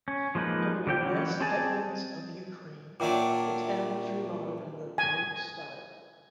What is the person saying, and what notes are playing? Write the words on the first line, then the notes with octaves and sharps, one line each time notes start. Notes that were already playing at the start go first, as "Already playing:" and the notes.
Under the last hetmans of Ukraine, the town was remodeled in the Baroque style.
C#4
F3 G#3 A#3 D#4 B4
D3 G4 G5
E3 F#3 C#4
C4 G4 G#4 G#5 A5
A#2 F#3 D4 E5 G5 D6
G#5